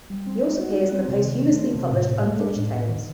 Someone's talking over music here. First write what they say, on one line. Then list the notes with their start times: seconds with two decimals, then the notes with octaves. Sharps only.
He also appears in the posthumously published "Unfinished Tales".
0.10 G3
0.26 C4
0.43 D#4
0.59 F#4
0.76 G3
0.92 C4
1.08 C3
1.24 D#3
1.42 A3
1.57 C4
1.75 C3
1.90 A2
2.07 A2
2.24 A3
2.40 D4
2.56 A2
2.73 A2
2.89 D#3